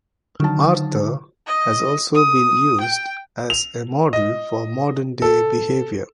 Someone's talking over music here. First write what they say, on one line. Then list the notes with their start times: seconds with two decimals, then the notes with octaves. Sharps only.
Arthur has also been used as a model for modern-day behaviour.
0.40 D3 D#3 F#3 A5
1.47 D#5
2.15 D#6
2.81 G5
3.50 F7
4.13 D#5
5.22 A4